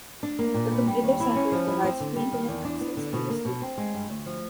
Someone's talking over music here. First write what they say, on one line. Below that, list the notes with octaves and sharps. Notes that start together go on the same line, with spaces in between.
The Computer Center provides free internet access to the students.
D4
A#3
A#2
B3
G3
D#2
E4
C#4
F3
E4
C4
D3
G3
D#3
E2
D4
B3
D3
B2
A#3
B2
C4
G#3
G2
D2
F3